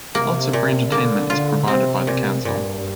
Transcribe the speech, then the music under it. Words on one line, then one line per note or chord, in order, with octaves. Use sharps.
Lots of free entertainment is provided by the council.
C3 A#3
A#2
D3 A#3
F4
C3 C4
A#2
G2 A#2